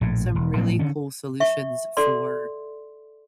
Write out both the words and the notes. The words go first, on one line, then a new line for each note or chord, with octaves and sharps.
some really cool solutions for
A#1 A2
E1
A2 F3 F#3 C4
D3 D#3 C#4
E5 C#6
A4 D5 C6